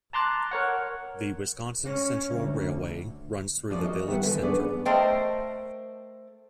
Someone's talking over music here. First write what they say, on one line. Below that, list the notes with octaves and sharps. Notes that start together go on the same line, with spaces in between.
The Wisconsin Central Railway runs through the village center.
A5 A#5 C6 D6 F#6 A6
A#4 C#5 F#5
C#4
D2
A#2 F3 C#4 D5
F#4 A#4 D#5
D#3 E3 G3 B3 F#5
D#2 D3 E3
B3 C#4 D4 G#4 B4 D5
A3 A#4 C5 D#5 G5